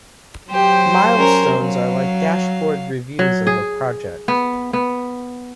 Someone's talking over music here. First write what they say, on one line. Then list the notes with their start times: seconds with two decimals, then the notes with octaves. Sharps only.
Milestones are like dashboard reviews of a project.
0.51 F#3 G4 C5
1.16 C#4 A#4
1.59 F#3 F5
3.19 F#3
3.47 G#4
4.28 B3
4.73 B3